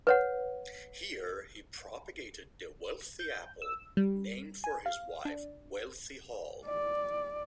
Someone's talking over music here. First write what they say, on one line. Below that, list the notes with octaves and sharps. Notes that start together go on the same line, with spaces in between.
Here he propagated the "Wealthy" apple, named for his wife Wealthy Hull.
B4 C#5 F#5
G6
E6
G3
G#5
F5
D4
D5